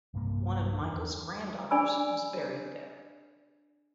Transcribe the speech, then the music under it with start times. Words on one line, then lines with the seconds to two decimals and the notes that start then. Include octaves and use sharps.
One of Michael’s granddaughters was buried there.
0.14 B1 G2 C3 A#3
0.82 E2 E3 D4
1.71 D4 G#4 D5 G#5 B5 E6